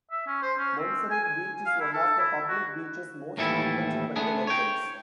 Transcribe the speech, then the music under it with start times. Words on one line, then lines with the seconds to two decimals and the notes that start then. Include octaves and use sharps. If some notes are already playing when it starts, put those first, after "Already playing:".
Monserrate Beach is one of the public beaches most frequented by the locals.
0.11 E5
0.27 C#4
0.42 C5
0.58 C#4
0.78 C4
1.11 G#5
1.24 G#5
1.66 F5
1.80 E4
1.93 A4
2.19 E4
2.49 F#4
3.37 D#2 A2 E3 G3 E4 A4
4.16 A3 B3 D4 G#4
4.47 C#5 G5